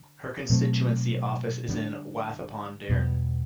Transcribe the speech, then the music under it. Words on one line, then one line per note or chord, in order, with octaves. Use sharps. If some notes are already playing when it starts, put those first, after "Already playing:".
Her constituency office is in Wath-upon-Dearne.
Already playing: D3
B2 F#3 A3 C4
D3 G3 B3 D4
E2 B2 G3 B3